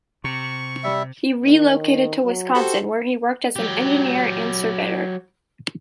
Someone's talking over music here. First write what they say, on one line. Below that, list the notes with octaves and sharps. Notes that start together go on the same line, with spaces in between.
He relocated to Wisconsin, where he worked as an engineer and surveyor.
C3 C#6
G3 E5
D#3
F#3
F#4 G4 A4 C5
F#3 G4